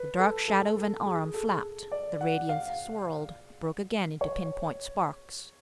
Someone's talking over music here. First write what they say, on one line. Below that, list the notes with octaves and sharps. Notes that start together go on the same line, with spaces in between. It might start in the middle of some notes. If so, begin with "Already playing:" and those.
The dark shadow of an arm flapped, the radiance swirled, broke again into pinpoint sparks.
Already playing: B4
A4
A4
A4
G#4
A4
D5
F#5
F5
C#5